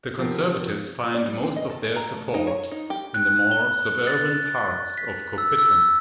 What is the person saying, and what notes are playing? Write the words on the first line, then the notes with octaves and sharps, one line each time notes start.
The Conservatives find most of their support in the more suburban parts of Coquitlam.
F3 B3 C4 G4 A#4 C7
D5
G3
C4
D#5
A4
G#4
A#5
A3
D#4
C#5
D#4
G4
F#6
G7
A6
B6
E6
E6